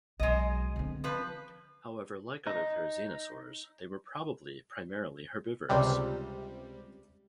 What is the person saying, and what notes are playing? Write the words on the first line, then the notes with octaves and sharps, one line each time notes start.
However, like other therizinosaurs, they were probably primarily herbivorous.
B1 F#3 G#3 D#5
D3 C4
F3 B4
D#4
C#2 C3 G3